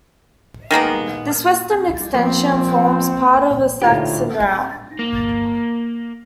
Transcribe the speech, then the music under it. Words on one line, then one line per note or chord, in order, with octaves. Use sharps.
This western extension forms part of a Saxon route.
D#3 G#3 A#3 B3
F3 A#3 C4
D2 A2 D#4 F4 G4
A#3